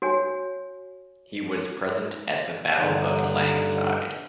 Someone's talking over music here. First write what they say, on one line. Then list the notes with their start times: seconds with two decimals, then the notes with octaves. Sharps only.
He was present at the Battle of Langside.
0.02 F#4 C#5 G#5
2.78 G2 D3 D#4 F#5